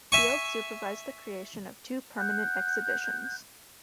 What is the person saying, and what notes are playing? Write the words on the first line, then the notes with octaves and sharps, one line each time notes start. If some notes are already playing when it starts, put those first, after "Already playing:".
Field supervised the creation of two permanent exhibitions.
E5 G#5 C#6
F#5 F#6 G6